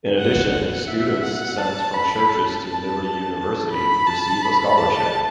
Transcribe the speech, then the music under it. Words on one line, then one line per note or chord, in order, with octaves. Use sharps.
In addition, students sent from churches to Liberty University receive a scholarship.
F#5
F#5
E5
F#5
A5
B5
A5
A5
A5
B5
A5
B5
A5